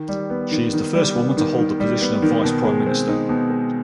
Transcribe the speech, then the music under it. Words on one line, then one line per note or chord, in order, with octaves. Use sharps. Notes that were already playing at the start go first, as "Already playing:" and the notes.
She is the first woman to hold the position of Vice Prime Minister.
Already playing: D#3
G3
B3
D#3
D#3
G3
B3
D#3
D#3
G3
B3
D#3
B2
G#3
C4
D#4
B2
G#3